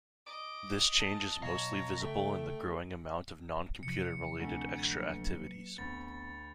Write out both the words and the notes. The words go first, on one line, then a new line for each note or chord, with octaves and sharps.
This change is mostly visible in the growing amount of non-computer related extra activities.
D#5 D6
A5
B1 C#5 D#5 F5 A5 A#5
C#3 A3 E5 G5
C3 F3 C#7
D2 D3 A3 C4 G#5
F#3 A#3 B4
D2 B3 C4 B5 A6